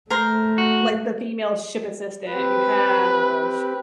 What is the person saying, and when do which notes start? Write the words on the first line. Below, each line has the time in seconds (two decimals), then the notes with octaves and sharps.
like, the female ship assistant, you have
0.10 A3 A#4 C5
0.58 F#4
2.33 C4 G4 B4